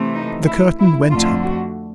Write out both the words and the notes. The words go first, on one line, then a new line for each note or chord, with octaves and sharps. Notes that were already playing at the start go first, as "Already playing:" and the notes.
The curtain went up.
Already playing: C3 E3 A3
D#4
E4
E4
F2 D3 F3 A3 F4
F#4